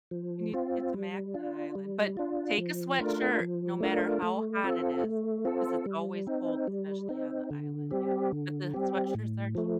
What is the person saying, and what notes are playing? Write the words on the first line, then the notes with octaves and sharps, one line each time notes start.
You need to get to Mackinac Island, but take a sweatshirt no matter how hot it is, 'cause it's always cold, especially on the island, yep, but the sweatshirts are cheap.
F3
C4 F4
G3
D4 F4
G3
D4 F4
F3
A3 D4 F4 A#4
F3
A3 D4 F4 A#4
A3
C4 F4 A4
A3
C4 F4 A4
G3
C4 D#4
G3
C4 D#4
D3
G3 C4 G4
D3
G3 C4 G4
A2
F3 A3